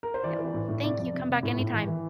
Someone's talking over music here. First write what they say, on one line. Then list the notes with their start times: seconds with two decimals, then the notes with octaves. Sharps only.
Yep. Well, thank you. Come back anytime.
0.03 A#4
0.14 C5
0.24 E3 D5
0.39 E3
0.54 A2
0.68 A2
0.84 C3 D5
0.99 F2
1.14 C3
1.28 C3
1.43 A2
1.59 A2
1.73 E3
1.88 E3